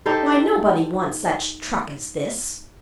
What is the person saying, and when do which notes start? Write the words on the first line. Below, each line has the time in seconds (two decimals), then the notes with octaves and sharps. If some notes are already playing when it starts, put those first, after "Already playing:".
Why, nobody wants such truck as this.
0.06 D#4 G4 A4 C5